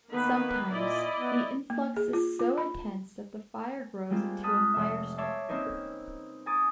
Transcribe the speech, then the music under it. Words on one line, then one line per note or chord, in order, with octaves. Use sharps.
Sometimes, the influx is so intense that the fire grows into a firestorm.
D#3 A#3 B3 B4
A#2 E4 D5 D#5
B3
A#3
G#4
F4
F4
B5
G3 G#3 A#3 C4 F4 G4
A5 B5 D#6 F6 F#6
F1 C3 E5
C#5 E5 A5 C6 D6
A#3 C4 C#4 D#4 A#4 B4
G#5 A#5 C#6 D#6 A6 D7